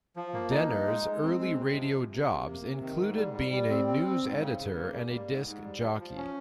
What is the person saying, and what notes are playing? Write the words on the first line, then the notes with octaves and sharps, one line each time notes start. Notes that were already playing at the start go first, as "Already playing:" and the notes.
Dehner's early radio jobs included being a news editor and a disc jockey.
F3
A#3
D#4
D#4
G#3
G#3
C4
G#3
C3
F3
C3
C3
C3
A#3
C3
D#3
G#2
G3
G3
G3
C4
C4
C4
G#2
C#3
C#3
A#3
G3
G3
G#2
G#2
G3
F3
F3
C#4